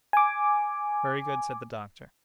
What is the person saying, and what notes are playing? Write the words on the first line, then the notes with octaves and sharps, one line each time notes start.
"Very good!" said the doctor.
G#5 D6